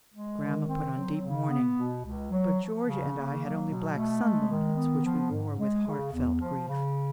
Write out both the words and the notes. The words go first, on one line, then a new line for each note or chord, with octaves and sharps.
Grandma put on deep mourning, but Georgia and I had only black sun-bonnets, which we wore with heartfelt grief.
G#3
D#3
C4
F#3
C#3
B3
B2
C#2
F#3
F3
C#3
A#3
F#3
B2
A3
G#3
D#3
B3
F3
G#2
G#3
C#3
E2
F3
C#3